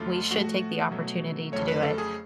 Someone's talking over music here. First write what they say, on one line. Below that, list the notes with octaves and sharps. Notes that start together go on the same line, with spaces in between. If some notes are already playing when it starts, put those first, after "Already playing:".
we should take the opportunity to do it,
Already playing: F2 D3 F#3 A3 F4
A2 F3 A3 F#4
B2 F#3 A3
F2 C#3 F#3 A3 C#5
B4
A4
G#4